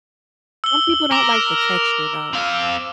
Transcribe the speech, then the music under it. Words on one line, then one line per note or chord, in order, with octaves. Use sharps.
some people don't like the texture though,
E6 G7
A#4 D6
C4 F5